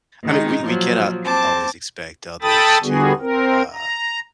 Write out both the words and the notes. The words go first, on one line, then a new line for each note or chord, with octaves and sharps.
I mean, we we cannot always expect others to, uh
D#3 G#3 D#4
A#2 F3 F#3
C4 C5 A5 D6
A4 G5 A5 B5 D#6 A6
D3 G3 B3 F#4 G#4
C4 A#4
A#5